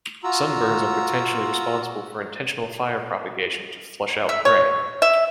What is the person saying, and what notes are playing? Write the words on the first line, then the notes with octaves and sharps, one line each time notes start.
Some birds are potentially responsible for intentional fire propagation to flush out prey.
F4 F#4 A#5 E6
E5
C#5
E5